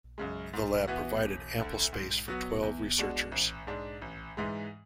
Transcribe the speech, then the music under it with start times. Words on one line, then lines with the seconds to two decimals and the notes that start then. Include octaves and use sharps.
The lab provided ample space for twelve researchers.
0.18 F#2 C#3 G#3
0.53 G#2
0.87 E3 B3 F#4
1.23 E1
1.58 D2 D3
1.93 G#2
2.28 F#3 B3 F#4
2.63 E2
2.97 B2 G#3 D4 F#4
3.32 A1
3.67 G#2 G#3 D4
4.01 A1
4.37 G#2 E3 G#3